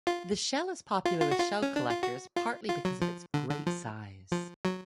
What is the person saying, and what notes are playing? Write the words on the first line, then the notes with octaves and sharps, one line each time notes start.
The shell is popular with shell collectors partly because of its great size.
F4
F4
F4
F#4
F4
C#4
D4
F4
F#4
F4
F4
F#3
F3
D3
D3
F3
F3
F#3